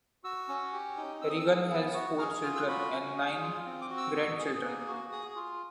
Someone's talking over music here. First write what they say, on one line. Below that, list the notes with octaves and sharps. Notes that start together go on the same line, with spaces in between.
Regan had four children and nine grandchildren.
F#4 E6
C#4
G4
D#4
C4 E6
D#6
E6
G#4
B3
F#4
G#4 F6
F6
F4 F6
E6
F#4 B5
C#4
G#4
F4
C4
D6
F#4
E6
B3
G#4
A#3
F#4
G#4 D#6
F4